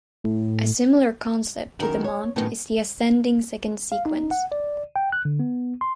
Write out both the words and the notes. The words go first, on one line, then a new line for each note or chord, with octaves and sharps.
A similar concept to the Monte is the ascending second sequence.
A2
F#2 D#3 E4 A#4
C#5
F#2 A2 D#3 B3 C4
F5
D#4
F#5
D5
G5
F#6
D3
B3
C6